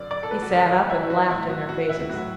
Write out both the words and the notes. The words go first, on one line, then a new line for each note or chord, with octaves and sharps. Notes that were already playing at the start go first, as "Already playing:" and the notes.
He sat up and laughed in their faces.
Already playing: F#2 D3 F#3 D5
D5
A4
B4
F#4
F#2 D3 F#3 A4
F#4
E4
E4
F#4
A2 F#3 E4
F#4
F#4
E4
A2 F#3 F#4